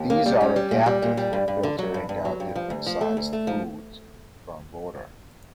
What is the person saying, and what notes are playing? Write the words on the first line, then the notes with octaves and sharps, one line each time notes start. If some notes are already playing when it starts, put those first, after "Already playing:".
These are adapted for filtering out different sized food from water.
Already playing: D#2
A#3
G3
C#4
G3
A#2
G3
A#2
G3
G2
G2
D3
F#3
G2
G2
F#3
G2
F3
D2
F3
A3
D2
A3
F3